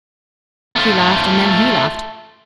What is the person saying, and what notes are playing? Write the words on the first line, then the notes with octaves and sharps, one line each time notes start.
She laughed and then he laughed.
A3 F4